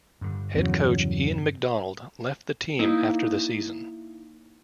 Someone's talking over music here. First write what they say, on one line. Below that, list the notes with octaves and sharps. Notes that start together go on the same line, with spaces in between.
Head coach Ian MacDonald left the team after the season.
G2 D3
E2 C#3 F#3
A#3 D#4 E4